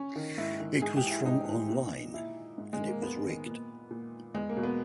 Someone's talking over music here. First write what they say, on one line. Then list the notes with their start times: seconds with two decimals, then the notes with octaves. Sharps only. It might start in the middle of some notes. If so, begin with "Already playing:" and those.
It was from online, and it was rigged.
Already playing: C#4
0.16 D#3
0.38 G#2 E4
0.60 D#3
0.82 G#2 G#4
0.97 G4
1.04 E3
1.11 E4
1.26 G#2 D#4
1.48 E3
1.70 A#2
2.14 A#2 E4
2.58 G#2
2.73 G#3
2.80 D#3
2.88 A#3
3.02 G#2 B3
3.24 D#3
3.46 A#2
3.91 A#2
4.34 E2 G#3
4.49 A#3
4.57 B2
4.63 B3